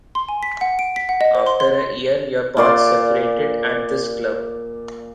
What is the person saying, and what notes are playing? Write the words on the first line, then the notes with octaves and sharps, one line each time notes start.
After a year, your paths separated at this club.
C6
G#5
B6
F#5
D7
B6
F#5
D#5
C5
C6
C6
A#2 D5 C6